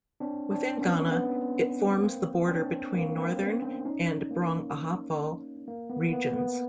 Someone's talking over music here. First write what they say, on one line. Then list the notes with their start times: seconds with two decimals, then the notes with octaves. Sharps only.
Within Ghana, it forms the border between Northern and Brong-Ahafo Regions.
0.20 C4 D4
0.51 C4 D4
0.81 B3 C#4
1.11 B3
2.02 A#3 C4
2.48 C4 D4
2.94 A#3
3.17 A#3 C4
3.39 B3 C#4
3.62 C4 D4
3.85 C#4 D#4
4.30 A#3
5.68 A#3
5.90 B3
6.08 A#3
6.13 B3
6.36 B3